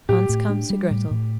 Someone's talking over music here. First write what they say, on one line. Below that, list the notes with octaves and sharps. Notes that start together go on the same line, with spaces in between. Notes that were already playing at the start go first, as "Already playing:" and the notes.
Hans comes to Grettel.
A2 G4
A2
D4
G3
A2
A2